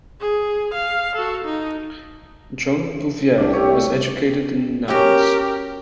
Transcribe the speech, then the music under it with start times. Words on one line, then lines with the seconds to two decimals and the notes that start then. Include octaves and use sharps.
John Bouvier was educated in Nimes.
0.20 G#4
0.74 F5
1.16 F#4 A4
1.45 D#4
3.38 C2 D4 G4 D5
3.53 A3 G4 C#5
4.88 C#4 F#4 G4 A#4